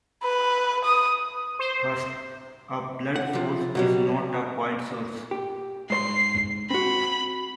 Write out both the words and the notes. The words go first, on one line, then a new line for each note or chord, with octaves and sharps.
First, a blood source is not a point source.
B4
D#6
C5
F#5
C3 F3
B2 F#3 G3
G4
G#2 C5 C6 C7
C4 F#4 B5